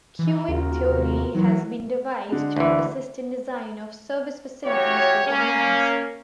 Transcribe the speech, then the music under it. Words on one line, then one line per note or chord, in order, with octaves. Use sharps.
Queuing theory has been devised to assist in design of service facilities waiting lines.
E3
D#2 C#3 F4 F#4 A#4
C3
E3 F#3
D3 G#3
D2 E3
C#3 E3 F#4 G4 C#5
A#3 C#4